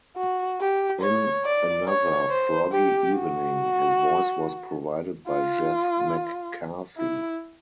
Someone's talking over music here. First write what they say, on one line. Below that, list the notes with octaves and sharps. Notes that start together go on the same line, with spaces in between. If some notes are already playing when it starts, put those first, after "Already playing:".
In "Another Froggy Evening", his voice was provided by Jeff McCarthy.
F#4
G4
C#5
D5
C#5
C5
G4
F#4
F4
E4